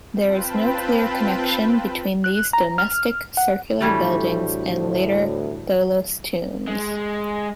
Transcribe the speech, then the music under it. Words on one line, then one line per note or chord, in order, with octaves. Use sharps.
There is no clear connection between these domestic, circular buildings and later tholos tombs.
C4 F4 B4 G5 A5 B5
F#6
A#5
F6
F#5
D2 A2 E3 G3 A3
G#3